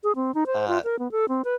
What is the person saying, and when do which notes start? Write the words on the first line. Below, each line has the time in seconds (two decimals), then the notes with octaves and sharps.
uh, eh,
0.03 G#4
0.16 C4
0.35 D#4
0.47 C5
0.68 F4
0.84 A#4
0.99 B3
1.12 A4
1.29 C4
1.45 B4